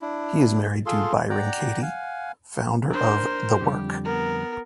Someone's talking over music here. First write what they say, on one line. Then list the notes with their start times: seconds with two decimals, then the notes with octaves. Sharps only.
He is married to Byron Katie, founder of The Work.
0.01 D4 E4
0.86 F4 G#4 A4 C6
1.30 D5 F#5 G5 A#5
1.82 F5 F#5 G#5
2.91 D4 A#4 C5
3.60 F2 D3 G3 G4
4.04 B3 A#4